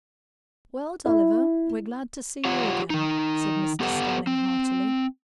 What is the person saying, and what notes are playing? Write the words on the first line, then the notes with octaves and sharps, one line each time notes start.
"Well, Tulliver, we're glad to see you again," said Mr. Stelling, heartily.
E4
F4 G4 C#5 F#5
D#3 D#4
B3 G4 A4 B4 F#5
C4